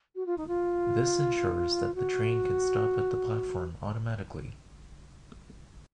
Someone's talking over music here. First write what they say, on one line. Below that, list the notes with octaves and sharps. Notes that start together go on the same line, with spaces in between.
This ensures that the train can stop at the platform automatically.
F#4
F4
D#4
F4
F#4